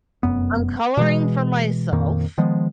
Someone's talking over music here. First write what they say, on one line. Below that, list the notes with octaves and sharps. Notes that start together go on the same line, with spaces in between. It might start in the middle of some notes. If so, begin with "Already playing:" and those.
I'm coloring for myself,
F1 F#2 B3
B2 E3 G#3
F2 A#2 D#3 A#3
D#3 F3 G#3 B3